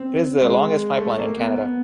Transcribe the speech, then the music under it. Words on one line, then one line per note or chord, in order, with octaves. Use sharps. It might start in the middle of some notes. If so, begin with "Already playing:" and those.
It is the longest pipeline in Canada.
Already playing: C4
G#3
A3
A#3
B3
B3